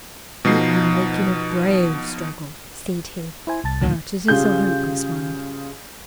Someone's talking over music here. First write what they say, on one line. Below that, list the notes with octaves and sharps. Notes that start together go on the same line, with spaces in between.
"You are making a brave struggle," said he, "but it is a hopeless one."
B2 F3 D#4 C7
E4 C5 G#5
C2 A5 A6
D2 A#2 D#3
C#3 G3 F4 G#4 G6